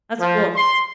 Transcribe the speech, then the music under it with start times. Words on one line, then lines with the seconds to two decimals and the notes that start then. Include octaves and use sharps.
That's cool.
0.20 F3
0.56 C6